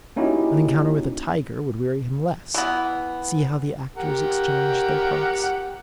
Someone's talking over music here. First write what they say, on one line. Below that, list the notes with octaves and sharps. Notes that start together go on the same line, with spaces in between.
An encounter with a tiger would weary him less; see how the actors exchange their parts.
A#3 C#4 D#4 E4 F#4 G4
E3 B3
G4 A#4 F#5